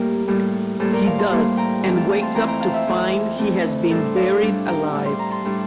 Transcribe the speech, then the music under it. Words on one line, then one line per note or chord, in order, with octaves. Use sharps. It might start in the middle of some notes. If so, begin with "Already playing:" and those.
He does, and wakes up to find he has been buried alive.
Already playing: A2 G3 A#3 G4 A#4
A2 G3 A#3
A2 G3 A#3 A4 C5
A#4 D5
F5 A5
A5 C6
A2 G3 A#3
G5 A#5
F2 E3 A3 C4 G5 A#5
F5 A5
F5 A5
A5 C6
F2 E3 A3 C4 G5 A#5
G5 A#5
F5 A5
C5 E5
F2 E3 A3 C4
F2 E3 A3 C4
A#4
A2 G3 D4 A4 C5
D5 F5
A2 G3 D4
G5 A#5
A2 G3 D4
C6
A#5
A5 C6
A2 G3 D4